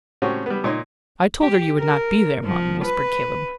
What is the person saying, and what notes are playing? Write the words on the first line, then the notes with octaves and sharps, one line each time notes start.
"I told her you would not be there, mum," whispered Caleb.
A2 C4 C#4 F#4 G4
G3 B3
A#2 D#4 C#5 C6
G4
A#4
F3
B4